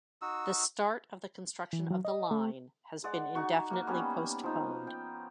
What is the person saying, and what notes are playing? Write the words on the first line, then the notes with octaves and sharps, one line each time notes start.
The start of the construction of the line has been indefinitely postponed.
D#4 F#4 E6
E3
F#3
D#5
A3
G#3 D5 F#5
D#4 F#4 C#6
A#3 F#4 A#4
G3 A#3 B3 C#4
F3 D#4
G5